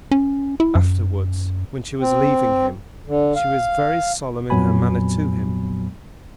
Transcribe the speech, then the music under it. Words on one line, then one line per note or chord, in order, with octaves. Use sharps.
Afterwards, when she was leaving him, she was very solemn in her manner to him.
C#4
E4
F#2
C4
D3
F5
F2 A#2 F#3 B3 G#5 B5